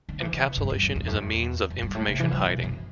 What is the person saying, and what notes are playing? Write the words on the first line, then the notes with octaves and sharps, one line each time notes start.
Encapsulation is a means of information hiding.
D3
E3
D3
B2
G2
F#2
F#2
E2
F#2
E2
F#2
G2
A2
C3
E3
F#3
B2
F#2